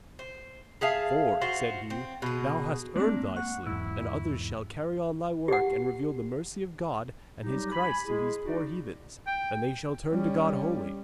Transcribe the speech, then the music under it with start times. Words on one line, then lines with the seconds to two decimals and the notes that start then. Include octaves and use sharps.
'For,' said he, 'thou hast earned thy sleep, and others shall carry on thy work and reveal the mercy of God and his Christ to these poor heathens, and they shall turn to God wholly.
0.19 C5
0.81 G#4 E5 F5 A5
1.41 F4 F#4 C5
1.90 C4
2.22 B2 G#4
2.96 G#3 A#3 C4 D4
3.36 F#5 C#6
3.67 E2 G#2 E4
5.48 G4 F#5
7.41 F#3 G3 D#4 G4
7.72 G#5 B5
8.06 G#3 E4 G#4
8.45 D#4 F#4 D5
9.27 G5
10.11 G3 C#4